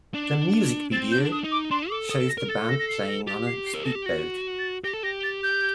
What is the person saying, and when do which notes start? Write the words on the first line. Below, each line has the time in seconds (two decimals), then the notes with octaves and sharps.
The music video shows the band playing on a speedboat.
0.14 D4
0.92 C4 A6
1.12 G6
1.19 D4
1.32 D#6
1.44 D#4
1.51 D6
1.71 D4 C6
1.90 A4 D6
2.10 A4 D#6
2.29 A#6
2.38 A#4
2.48 A4 A6
2.69 A#6
2.79 A#6
2.88 C7
3.08 A#6
3.27 G4 A6
3.46 C7
3.66 C7
3.75 A#4
3.85 A4 A#6
3.95 G4
4.06 F#4 A#6
4.59 A6
4.84 G4 A#6
4.93 A4
5.03 G4 A#6
5.23 A6
5.43 G6